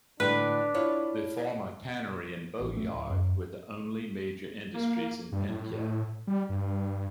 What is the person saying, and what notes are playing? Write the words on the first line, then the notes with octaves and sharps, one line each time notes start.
The former tannery and boatyard were the only major industries in Penketh.
A2 D3 A3 D4 B4
E4 F4 C#5
A1
A3
D1
F#2
A#3
G2
A2
G3
G2